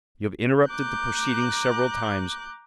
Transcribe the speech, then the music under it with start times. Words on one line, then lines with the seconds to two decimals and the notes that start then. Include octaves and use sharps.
You have interrupted the proceedings several times.
0.67 A#5 D6 F#6 G6